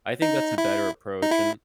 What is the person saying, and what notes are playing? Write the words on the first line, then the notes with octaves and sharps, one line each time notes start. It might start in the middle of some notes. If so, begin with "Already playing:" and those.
I think that's a better approach, and
D#4
E4
D#4
E4